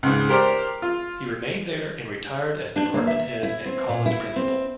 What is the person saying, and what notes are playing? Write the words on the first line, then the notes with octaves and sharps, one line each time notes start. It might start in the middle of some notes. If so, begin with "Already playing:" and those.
He remained there and retired as department head and college principal.
C#2 G#2
G4 A#4 C5 D5
F4
D4
A#3
E5
E4
C4
A#2
E4
C4